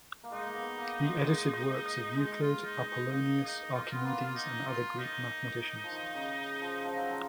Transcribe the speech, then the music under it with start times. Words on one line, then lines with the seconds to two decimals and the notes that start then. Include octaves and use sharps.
He edited works of Euclid, Apollonius, Archimedes, and other Greek mathematicians.
0.24 A#3
0.31 G#3 D#4
0.46 A#3
0.55 B3
0.78 A#3
1.01 G#3
2.17 G#3 D#4
2.41 F4
2.64 D#4
2.88 D#4
3.11 A#3 D#4
3.43 D#4
3.73 F4
3.82 D#4
3.91 B3 F4
4.05 A#3 F4
4.25 F4
4.35 D#4
4.66 F4
4.98 D#4
5.84 F3
5.91 D#3
6.15 C#3
6.61 F3
6.85 F3 D#4
6.97 F#3
7.10 F3